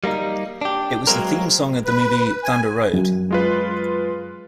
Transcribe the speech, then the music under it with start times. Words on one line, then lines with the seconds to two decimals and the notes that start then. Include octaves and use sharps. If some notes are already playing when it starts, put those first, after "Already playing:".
It was the theme song of the movie "Thunder Road".
0.04 G3 A#3 B3 D#4
0.61 D4 G4
1.07 F#3 G#3 A#3 C4 A#4
1.85 B4
2.44 G#5
2.93 F#2
3.31 G#3 F4 B4